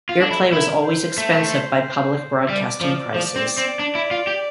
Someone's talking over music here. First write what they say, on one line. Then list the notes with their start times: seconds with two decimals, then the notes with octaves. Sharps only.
Earplay was always expensive by public broadcasting prices.
0.09 F4
0.21 D4 A4
0.31 E4
0.52 E4 A#4
0.86 C5
1.18 A3
2.49 G3 D5
2.81 F3
3.14 F3
3.36 C4
3.57 C4
3.79 D4
3.95 E4
4.11 F4
4.27 G4